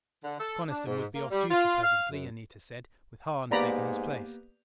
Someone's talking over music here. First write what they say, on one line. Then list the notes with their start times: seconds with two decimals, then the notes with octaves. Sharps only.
Coniston would be off duty presently, Anita said, with Hahn taking his place.
0.23 D3
0.40 A4
0.68 D4
0.86 G#2
1.14 A#3
1.30 G3
1.50 F4
1.83 F5
2.09 F#2
3.51 G#2 A#3 B3 G4 D5 A#5 B5